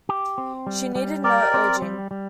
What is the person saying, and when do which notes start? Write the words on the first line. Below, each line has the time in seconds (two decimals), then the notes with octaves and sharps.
She needed no urging.
0.09 G4
0.38 C4
0.67 G3
0.95 G3
1.24 G4 A#4 D5
1.54 C4
1.82 G3
2.11 G3